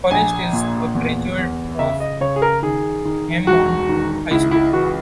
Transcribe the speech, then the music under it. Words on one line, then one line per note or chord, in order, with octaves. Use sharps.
Forrest is a graduate of Hammond High School.
A#1 G#5
A#2
E2
E2
C#3 E5
D#5
C#3 C#5
G#4
A#4
D#3 G#4
D#3
E1 F#4
D#3
C#2 E4
E4
E3 F#4